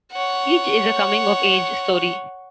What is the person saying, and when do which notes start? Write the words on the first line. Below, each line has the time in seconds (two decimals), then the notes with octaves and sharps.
Each is a coming of age story.
0.12 C#5 F#5